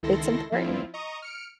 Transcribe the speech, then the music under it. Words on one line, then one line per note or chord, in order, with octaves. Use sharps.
It's important.
C#2 D#3 E4 A4 C6 A#6
F3 C4 E4 F4
D#5 A#5 C#6 D#6
F6 C#7 D7